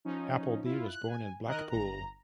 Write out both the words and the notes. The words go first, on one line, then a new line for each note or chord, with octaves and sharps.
Appleby was born in Blackpool.
F3 C#4 D#4
E4 F4
F#6
G#5
D#3 A#4 D#5 F#6
G1 A#5